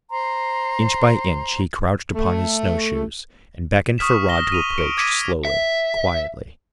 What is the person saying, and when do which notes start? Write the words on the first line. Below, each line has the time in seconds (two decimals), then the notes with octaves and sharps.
Inch by inch he crouched upon his snow-shoes, and beckoned for Rod to approach, slowly, quietly.
0.10 C5 A#5 C6
2.15 A3
3.98 C#6 D#6 F6 B6 E7
4.29 A#6 G7
4.52 D#7 F7
4.78 C#7 D7
4.97 D6 G#6 A#6 B6 C#7 D#7
5.45 E5